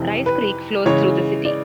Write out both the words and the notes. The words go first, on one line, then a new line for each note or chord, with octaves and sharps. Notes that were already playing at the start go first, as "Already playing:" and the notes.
Rice Creek flows through the city.
Already playing: F2 C3 E3
B4
C#3 E3 G#3 C#5
D5